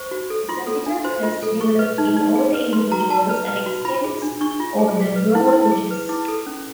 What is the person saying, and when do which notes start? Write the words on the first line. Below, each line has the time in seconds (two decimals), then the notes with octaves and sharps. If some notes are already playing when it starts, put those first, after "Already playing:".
A sagittal crest developed in older individuals and extends over the brow ridges.
Already playing: C5 C#6
0.11 F#4
0.30 A4
0.49 F4 C6
0.67 A4
0.86 D4
1.04 C5 C6
1.23 F4
1.43 A4
1.61 G#4 C#6
1.79 B4
1.98 D#4
2.17 D#4
2.36 G#4
2.54 B4
2.73 B4 C6
2.92 F#4 A#5
3.10 F#4 A5
3.29 B4
3.47 B4
3.66 F#4
3.85 F4 B5
4.04 G#4
4.22 D4
4.41 D4 C#6
4.60 F4
4.78 G#4
4.97 G#4
5.16 B4
5.35 E4
5.53 E4
5.72 G#4
5.91 B4
6.09 E4 D6
6.28 A4
6.46 C#4